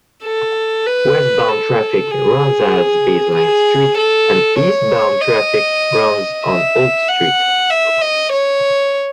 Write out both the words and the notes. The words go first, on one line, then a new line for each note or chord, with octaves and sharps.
Westbound traffic runs as Baseline Street and eastbound traffic runs on Oak Street.
A4
B4
A4
G#4
G#4
A4
C#5
D#5
E5
F#5
E5
D#5
C#5